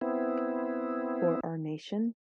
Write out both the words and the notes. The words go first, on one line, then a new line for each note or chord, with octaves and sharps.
For our nation?
B3 C4 E4